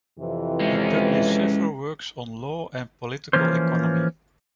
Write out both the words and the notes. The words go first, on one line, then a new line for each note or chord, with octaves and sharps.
He published several works on law and political economy.
F2 C3 E3
G#3 C#4
E3 F3 A#3 C#4 C5